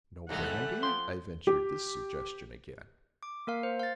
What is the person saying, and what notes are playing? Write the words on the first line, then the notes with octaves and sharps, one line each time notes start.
"No brandy?" I ventured this suggestion again.
C2 G#2 E3 G3 A3 D#4 A4 F#5
F3 G5 C6
G4
D6
A#3 A#4 F5
C5
F5 A6